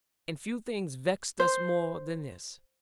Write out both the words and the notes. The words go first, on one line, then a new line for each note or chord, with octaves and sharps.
And few things vexed us more than this.
C5